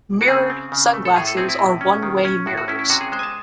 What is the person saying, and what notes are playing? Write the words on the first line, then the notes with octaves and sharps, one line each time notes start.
Mirrored sunglasses are one-way mirrors.
F#4
C#3 G#4
C4
C#3
A3
A4
A2 G#4
A4
C4 G#4
E4
A2
C#4
D#3
C#4
A2 F#4
F#4
C#4 E4
E4
C3 F#4
G#4
G#3 C5
G#5
A5